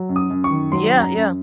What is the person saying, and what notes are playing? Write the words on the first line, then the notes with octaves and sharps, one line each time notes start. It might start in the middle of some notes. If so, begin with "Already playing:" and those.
Yeah, yeah.
Already playing: F#3
F#2
D#6
F#2
C#6
D#3
F#3 C6
F#2
A#5
F#2